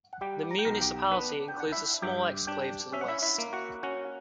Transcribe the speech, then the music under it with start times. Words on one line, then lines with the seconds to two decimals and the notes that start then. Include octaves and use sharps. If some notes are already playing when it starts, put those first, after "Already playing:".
The municipality includes a small exclave to the west.
0.13 F#5
0.21 G3 G4 G5
0.51 A#5
0.59 G5
0.65 B1 A#4 A#5
0.81 G4 G5
1.11 B3 D4 B4
1.48 G5
1.57 D4 F#5
1.72 E4 E5
2.02 G2 G4 G5
2.47 D4 G4 G5
2.92 C#4 E5
3.01 F#5
3.08 E4 E5
3.22 E4 E5
3.38 A#3
3.53 F#4 F#5
3.83 C#4 F#4 F#5